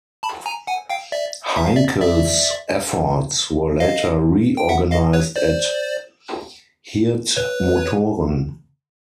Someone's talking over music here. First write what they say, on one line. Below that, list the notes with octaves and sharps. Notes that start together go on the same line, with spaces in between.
Heinkel's efforts were later re-organized at Hirth Motoren.
A5 B5
G#5 A#5
F#5 G#5
F5 G5
D5 E5
E5
F5
D5 E5
D5 E5
D#5 F5
G5
E5 F#5
D#5 F5
B4 C#5
C5 D5
B4 C#5